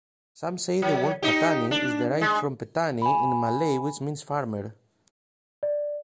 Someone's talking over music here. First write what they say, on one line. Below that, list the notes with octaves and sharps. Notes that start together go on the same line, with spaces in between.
Some say the word Pattani is derived from "Petani" in Malay which means "farmer".
F#3
D#4 G4
D4
G#3
G#5 B5
D5